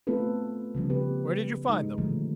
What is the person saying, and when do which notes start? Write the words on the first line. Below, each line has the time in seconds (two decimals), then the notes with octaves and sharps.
"Where did you find them?"
0.07 A3 B3 C4 F4 A4 B4
0.75 C#3 F3 G3 C#4
0.90 B3 G4 B4
1.69 G#3 D#4
1.98 A#2 D3 D#3 F3 G3 A3